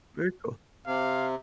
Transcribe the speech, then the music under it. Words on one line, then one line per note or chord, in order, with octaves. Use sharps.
Very cool.
C3 F5